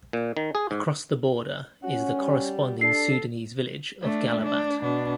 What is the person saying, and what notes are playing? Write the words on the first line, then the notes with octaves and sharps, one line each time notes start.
Across the border is the corresponding Sudanese village of Gallabat.
A#2
D#3
G#4
G#2
C#4 F#4
G3
D4 A4 C7
A3 D4
D4
B2 D4